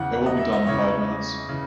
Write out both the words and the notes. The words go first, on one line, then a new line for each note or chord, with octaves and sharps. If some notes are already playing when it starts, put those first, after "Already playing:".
It will be done in five minutes.
Already playing: E2 C#3 E3 F#5
D#5
E5
D#5
E2 C#3 E3 C#5
C#3 E3